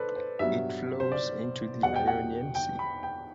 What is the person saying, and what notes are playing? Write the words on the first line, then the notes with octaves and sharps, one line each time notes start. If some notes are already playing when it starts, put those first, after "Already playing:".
It flows into the Ionian Sea.
Already playing: A4 B4 C5 D5
C5
G2 F#3 B3 E5
C5
D5
E2 B2 G3 F#5
G5
F#5
G5
B5
G5